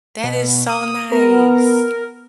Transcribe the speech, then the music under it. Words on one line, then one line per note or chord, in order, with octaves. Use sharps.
That is so nice.
B2
D#6
B3 A#4